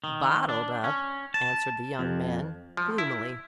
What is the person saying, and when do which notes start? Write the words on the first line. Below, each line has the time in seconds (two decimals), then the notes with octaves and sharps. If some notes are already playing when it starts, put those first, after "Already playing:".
"Bottled up," answered the young man gloomily.
0.04 D#3
0.49 D4
0.84 C#4
1.34 A5
1.99 F2
2.77 F3
2.98 E4